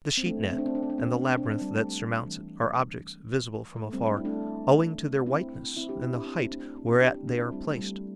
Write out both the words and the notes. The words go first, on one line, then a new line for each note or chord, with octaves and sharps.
The sheet-net and the labyrinth that surmounts it are objects visible from afar, owing to their whiteness and the height whereat they are placed.
C4
A3 D4
C4
D4
C4
D4
C4
D4
C4
D4
C4
D4
C4
D4
C4
D4
G3 C4
A3
G3
E3
A3
G3 C4
D4
E4
A3 D4
C4 E4
C4 E4
D4 G4
C4 E4
D4 G4
C4 E4
C4
A3 D4
C4 E4
C4 E4
D4 G4
C4 E4
A3 D4
C4 E4
G3 C4
A3
G3